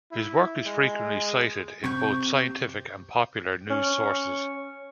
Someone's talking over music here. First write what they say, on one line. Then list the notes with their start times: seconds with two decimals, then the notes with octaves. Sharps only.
His work is frequently cited in both scientific and popular news sources.
0.12 E4
0.66 G#3
1.84 C3 C4 C#6 G6
3.70 C#4